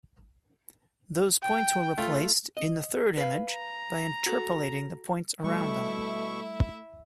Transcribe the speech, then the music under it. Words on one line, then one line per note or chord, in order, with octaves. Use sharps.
Those points were replaced, in the third image, by interpolating the points around them.
G5
A3 F4
D#5
B4 F5
A#5
F#4 A4
B2 G3 A3 E4 E5 C#6